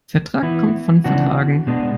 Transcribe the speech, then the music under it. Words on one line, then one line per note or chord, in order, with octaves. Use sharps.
Vertrag kommt von vertragen.
E3 B3 E4
C#3 E3 B3 D4 F#4
B2 G#3 B3 D4